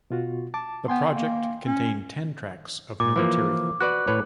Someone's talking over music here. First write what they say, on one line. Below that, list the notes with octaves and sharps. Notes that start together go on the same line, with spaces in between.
The project contained ten tracks of new material.
B2 F4 F#4
A5 D6
B3 G5 G#5 C6
A#3
C#4
A#2 D6
E3 F3 A#3
F#4 B4 D5 F#6
A2 B4 C#5